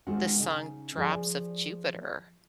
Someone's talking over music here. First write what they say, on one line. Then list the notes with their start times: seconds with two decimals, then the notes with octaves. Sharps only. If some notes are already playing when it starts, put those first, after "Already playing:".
the song Drops of Jupiter.
0.07 D#3 G#3 C4 F4 F#4
0.40 C#3 D#4
0.97 F3 G#4 D5